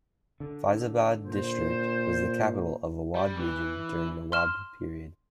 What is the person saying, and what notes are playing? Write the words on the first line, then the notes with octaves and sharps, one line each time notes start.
Faizabad District was the capital of Awadh region during Nawab Period.
D3
A#2 C5
G3
E3
C6 F6 E7